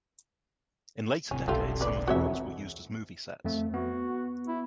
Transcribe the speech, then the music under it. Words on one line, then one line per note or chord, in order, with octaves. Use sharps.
In later decades some of the rooms were used as movie sets.
D1 C3 C#4
F1 B1 G3 E4 F4 A4
B4 D5
E1 F2 F#4 C#5 E5
F2 A3
B3 F#4
E4